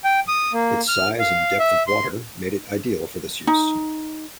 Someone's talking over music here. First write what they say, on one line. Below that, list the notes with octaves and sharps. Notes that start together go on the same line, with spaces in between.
Its size and depth of water made it ideal for this use.
G5
D#6
A#3
F6
F5
E5
C6
D#4